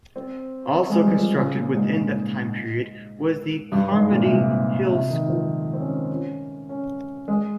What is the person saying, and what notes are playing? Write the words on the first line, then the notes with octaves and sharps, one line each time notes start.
Also constructed within that time period was the Carmody Hills School.
C4
C4
G#3
G3
F3
C#3
A#2
G#2
G2
G#2
A#2
C3
A#2
C3
D#3
F3
C4
C#4
C#4
C#4
G#3